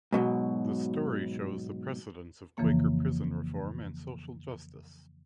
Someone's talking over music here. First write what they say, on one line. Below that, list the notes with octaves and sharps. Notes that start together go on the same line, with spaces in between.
The story shows the precedence of Quaker prison reform and social justice.
G#2 B2 F#3
F2 C#3 E3 F3 A#3